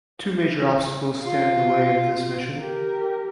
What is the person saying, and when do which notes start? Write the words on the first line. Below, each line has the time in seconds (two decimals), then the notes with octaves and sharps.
Two major obstacles stand in the way of this mission.
1.23 F4
2.58 G4 A#4